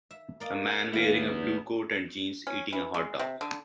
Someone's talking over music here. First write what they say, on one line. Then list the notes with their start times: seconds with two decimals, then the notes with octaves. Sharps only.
A man wearing a blue coat and jeans eating a hotdog.
0.11 E5
0.40 A#3 D5 D#5
0.93 D#2 G3 B3 E4 F5 G5
2.47 C#4
2.73 E3
2.94 G#3
3.19 C3
3.41 D3